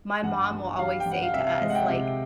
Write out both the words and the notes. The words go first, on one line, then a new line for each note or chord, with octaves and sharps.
my mom will always say to us, like
G2 F#5
G2
G3 F5
G5
G2
F#5
F5
C3 E5
F5
G#3 D#5
F#5
G5
C3